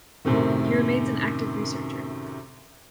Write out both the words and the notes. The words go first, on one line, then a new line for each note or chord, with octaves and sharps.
He remains an active researcher.
F#2 A2 C3 D#3